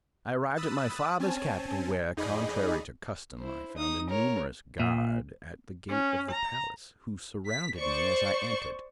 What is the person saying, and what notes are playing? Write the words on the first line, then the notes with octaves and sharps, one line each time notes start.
I arrived at my father's capital, where, contrary to custom, I found a numerous guard at the gate of the palace, who surrounded me as I entered.
B5 D#6 E6 F#6 A6
C4 C#4 G#5 A5
F2 D#4 G#4 D5 D#5 B5
E4 C5
D#4 D#6
A#4 C#5
A#2
C#4
A#5
B6
C5 D5 C#6